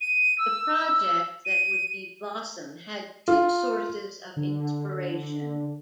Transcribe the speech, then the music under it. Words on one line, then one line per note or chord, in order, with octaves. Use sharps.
The project that would be "Blossom" had two sources of inspiration.
D#7
E6
D#7
F4
D3